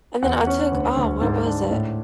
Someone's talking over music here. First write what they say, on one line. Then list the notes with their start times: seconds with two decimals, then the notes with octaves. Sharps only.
And then I took Oh, what was it?
0.22 E2 F#5
0.47 C#4
0.72 D2
0.97 D2
1.21 G#2
1.46 D4
1.71 A2